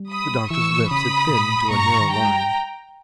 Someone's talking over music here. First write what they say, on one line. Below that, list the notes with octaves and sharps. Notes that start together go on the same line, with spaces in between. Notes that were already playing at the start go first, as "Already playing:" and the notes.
The doctor's lips had thinned into a narrow line.
Already playing: G3
B5 D#6
E3 C#6 E6
C#3 B5 D#6
A#2
A#2 A#5 C#6
G2
G#2
D#3
G3 G5 A#5
G#3
G3